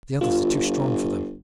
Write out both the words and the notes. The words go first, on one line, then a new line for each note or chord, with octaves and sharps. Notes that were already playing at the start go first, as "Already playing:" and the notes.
The others are too strong for them.
G1 F4